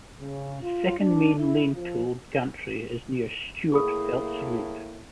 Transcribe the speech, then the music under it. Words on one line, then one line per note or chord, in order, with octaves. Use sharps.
The second main lane toll gantry is near Stewart Feltz Road.
C#3
F4
D4
E4
F3
A2 A#3 E4 G#4 B5 D#6